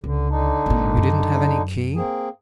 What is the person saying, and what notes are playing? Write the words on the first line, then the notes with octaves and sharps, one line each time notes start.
"You didn't have any key?"
C#2 D3
D3 D4 D#4
G#1 A#2
F#2
A#3 C4 G#4